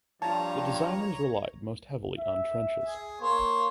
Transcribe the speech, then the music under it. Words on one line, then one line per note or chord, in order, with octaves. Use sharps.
The designers relied most heavily on trenches.
G2 F3 C#5 A5 A#5
E5
G#4
A#3 C5 C#5